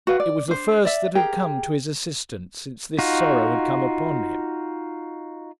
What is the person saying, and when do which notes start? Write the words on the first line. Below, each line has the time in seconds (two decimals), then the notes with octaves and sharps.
It was the first that had come to his assistance since this sorrow had come upon him.
0.07 F#4 B4 F5
0.20 D5
0.48 D4 C5
0.85 D5 E5
1.15 G4 G#4 A#4 G5
2.99 D#4 F4 F#4